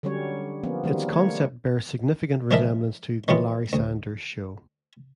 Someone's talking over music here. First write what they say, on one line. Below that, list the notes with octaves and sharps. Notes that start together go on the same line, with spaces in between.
Its concept bears significant resemblance to "The Larry Sanders Show".
D3 F#3 G3 C#4 C#5
F3 A#3 B3 C#4
D#3 F#3 G3 A#3
A3 C#5
F3 G#3 D4 A#4 E5
D#3 E3 F#3 B3 F4
D2